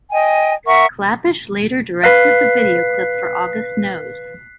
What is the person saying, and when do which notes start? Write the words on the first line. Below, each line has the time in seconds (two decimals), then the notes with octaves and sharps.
Klapisch later directed the video clip for "August Knows".
0.11 D#5 G5 G#5
0.66 A#4 E5 F#5 C#6
2.03 B4 F5 F#6 B6 C7